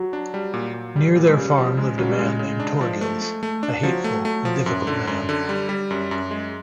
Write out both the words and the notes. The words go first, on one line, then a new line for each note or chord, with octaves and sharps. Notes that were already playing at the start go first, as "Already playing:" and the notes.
Near their farm lived a man named Thorgils, a hateful and difficult man.
Already playing: F#3
D4
G3
A#2
A#2
G3
A#2
G#3
C#3 G3
F3
C#3 G#3
C#3 F#3
G3
C#3 G#3
C#3
D4
F3
A3
A3
A3
D4
F3 F#3
A3
A3
F3
F#2
D3
F#2
D3
G3
G3
F#2
F#2
G#3